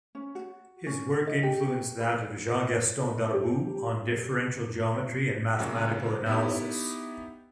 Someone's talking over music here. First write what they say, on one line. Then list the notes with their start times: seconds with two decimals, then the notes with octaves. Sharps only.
His work influenced that of Jean Gaston Darboux on differential geometry and mathematical analysis.
0.15 C#4
0.35 F#4
0.86 C#4
1.27 D#5
1.43 G4
2.00 B4
3.34 G4
5.59 A#2 C#3 F#3 G#3 A#3
6.26 B3 D#4 E4 G4